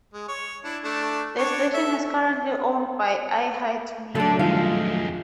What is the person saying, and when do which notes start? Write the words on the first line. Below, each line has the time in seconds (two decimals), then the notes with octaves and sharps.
The station is currently owned by iHeartMedia, In.
0.13 G#3
0.28 C#5
0.64 D4 E4
0.84 A3 D4
1.38 D4 C#5
1.74 A4 E5
4.15 D3 F#3 A3 D4 A4
4.39 F2 D#3 G3 G#3 F4 F5